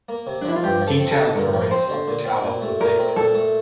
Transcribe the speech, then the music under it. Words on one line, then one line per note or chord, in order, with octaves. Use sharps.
Detailed drawings of the tower were made.
A#3
C3
D4
F3 E4
F4
G2 G4
F3
A4
C4
A4
D3
G2 A#4
F3
A#4
C4 C5
D3
A#2
C4
A#2
A3
A#2 A#4
C4
A#2 A4
A3